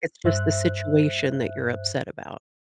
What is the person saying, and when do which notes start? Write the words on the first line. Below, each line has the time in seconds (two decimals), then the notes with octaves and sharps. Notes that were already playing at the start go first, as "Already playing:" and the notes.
It's just the situation that you're upset about.
0.24 G2 C5 E5 F#6